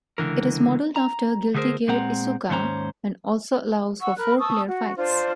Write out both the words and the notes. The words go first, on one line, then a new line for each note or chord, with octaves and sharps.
It is modeled after "Guilty Gear Isuka", and also allows for four player fights.
C#2 B2 D3 E3 A#4
A#5
D3 G3 A3 G#4 A#4 C5
A#2 G#3 C4 F#5 A#5
D#2 G#2 C#4 C5 A#5
F#5 C#6 E6
A#4 B5 F#6
A5 C#6 D#6 E6
F#4
D4 F4 C5